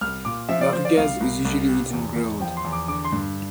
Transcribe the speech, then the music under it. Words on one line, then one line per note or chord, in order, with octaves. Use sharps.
Merguez is usually eaten grilled.
C2 F6
A#2 D6
F3 E5
D5
F3 C5
D5
C2 F5
C2
C2
C3
E2
E2
F3 G5
C6
E2
D6
D3 D6
C6
G2